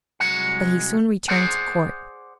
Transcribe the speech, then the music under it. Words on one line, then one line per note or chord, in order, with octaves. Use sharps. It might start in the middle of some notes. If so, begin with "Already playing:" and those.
But he soon returned to court.
C2 B2 F#3 G#3 F#5
G#4 A#4 C5 D5 F#5